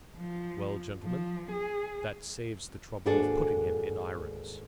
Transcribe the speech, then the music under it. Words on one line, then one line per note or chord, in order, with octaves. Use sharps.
"Well, gentlemen, that saves the trouble of putting him in irons."
F3
F3
G#4
D#2 G#2 D4 F#4 G#4 A4